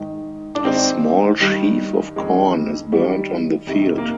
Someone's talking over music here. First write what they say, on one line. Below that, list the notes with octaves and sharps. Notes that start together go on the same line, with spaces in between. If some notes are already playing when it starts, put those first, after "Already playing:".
A small sheaf of corn is burnt on the field.
Already playing: G#2 D#3
D4
G#2 D#3 C4
G2 D#3 G3
F2 D#3 G#3
G2 D#3 G3
F2 C3 D#3
A#3